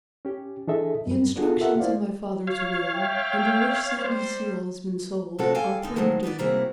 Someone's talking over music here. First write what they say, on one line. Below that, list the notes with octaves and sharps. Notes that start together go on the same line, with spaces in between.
The instructions in my father's will, under which Sandyseal has been sold, are peremptory.
C#4 G4
E3 D4 G#4 A4 D#5 E5
F#2 G3
B3 D4 F4 F#4 G#4 A4
F4 G4 A4 A#4 E5 F#5
A3 E4 C5 D5 F5
C#5 F5
E5 G5
G3 C5
C3 F3 A3 C#4 F#4 A4
A4 F5 G5 G#5
D3 D#4
C3 D#3 F3 F#3 G#3
B3 D#4 B4 D5
C3 G3 A#3 E4 F#4 G#4